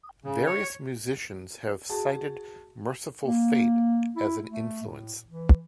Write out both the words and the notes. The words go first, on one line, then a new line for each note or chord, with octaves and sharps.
Various musicians have cited Mercyful Fate as an influence.
C#3
C#5
F#4 G#4 A5
A#3
E4
A3
A2
E3